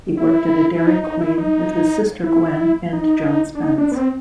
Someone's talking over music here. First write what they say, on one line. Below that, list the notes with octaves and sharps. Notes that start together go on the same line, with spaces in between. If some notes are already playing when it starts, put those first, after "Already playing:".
He worked at a Dairy Queen with his sister Gwen and John Spence.
E4
E4
D#4
D#4
E4
D#4
E4
D#4
D4
D#4
D4
B3
C4